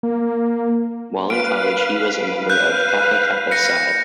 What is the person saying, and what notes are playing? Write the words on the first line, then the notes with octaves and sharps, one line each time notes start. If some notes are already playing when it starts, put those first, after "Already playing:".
While in college, he was a member of Kappa Kappa Psi.
A#3
B4 F5 D7
F#6 G6
A#6 C#7